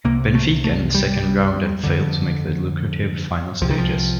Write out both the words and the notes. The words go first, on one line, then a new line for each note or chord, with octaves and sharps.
Benfica in the second round and failed to make the lucrative final stages.
C2 C3 A#3
A3
A3
G3
F2 D3
C2 C3 F3
D#3
F3